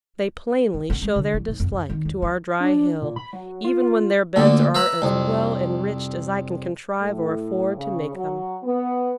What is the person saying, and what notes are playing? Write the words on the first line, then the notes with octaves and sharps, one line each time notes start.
They plainly show their dislike to our dry hill, even when their beds are as well enriched as I can contrive or afford to make them.
F3
C#4
G#3
D3
E3
G#2
F2
F#2
D#3
E2
F3
D4
A#2
B5
F#3
F4
D2 A#2 D3
B4 E5 A#5 B5
C2 F2
A2
C#3
F#3
B3